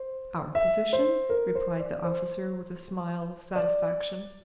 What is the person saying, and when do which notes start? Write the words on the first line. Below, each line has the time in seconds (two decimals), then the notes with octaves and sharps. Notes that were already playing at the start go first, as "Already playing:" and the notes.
"Our position?" replied the officer with a smile of satisfaction.
Already playing: C5
0.55 E5
0.93 C5
1.30 A#4
1.55 C5
1.80 D5
2.04 C5
3.56 D5